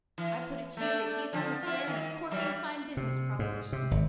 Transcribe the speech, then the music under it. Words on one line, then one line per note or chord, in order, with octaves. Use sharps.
I put it to you that He's on the square and a corking fine business proposition.
E3
A3 D4
D3 F3
E4 F4
D#3
E3 F#3 G3
C3
G#2
C3
G#1